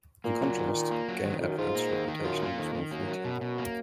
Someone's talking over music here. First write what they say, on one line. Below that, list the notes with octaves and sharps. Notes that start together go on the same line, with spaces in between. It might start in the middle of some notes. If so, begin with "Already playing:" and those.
In contrast, Gaye Advert's reputation was more fleeting.
A#2 A#3
F#3
D#3
D#3
A#3
F#3
D#3
F2 D#3
F#2
G#2 F4
A#3
D#3
D#3
G#2
F#2 F4
A#3
F2 D#3
D#3
F#2 A#3
F#3
B2
B2
A#3